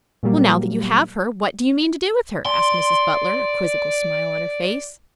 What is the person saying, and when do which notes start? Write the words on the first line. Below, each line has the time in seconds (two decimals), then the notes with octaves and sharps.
"Well, now that you have her, what do you mean to do with her?" asked Mrs. Butler, a quizzical smile on her face.
0.23 A#2 F#3 G3 A#3
2.46 D5 C6